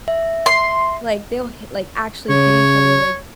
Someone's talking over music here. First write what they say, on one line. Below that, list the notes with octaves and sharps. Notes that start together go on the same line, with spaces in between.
like, they'll hit like, actually hit each other, like
E5
C6
C#3 C#5